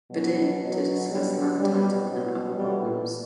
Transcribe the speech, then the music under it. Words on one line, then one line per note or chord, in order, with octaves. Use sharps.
Badin to discuss land title and other problems.
B2 F#3
B2 F#3
B2 F#3 G3
B2 F#3 G3
B2 F#3
A2 E3 G3